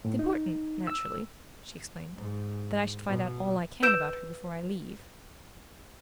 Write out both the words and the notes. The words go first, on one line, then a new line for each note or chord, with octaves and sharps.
"It's important, naturally," she explained, "that I should find out all I can about her before I leave."
A2
D#4
E6
G#2
B2
B4 E6 G6 D7 E7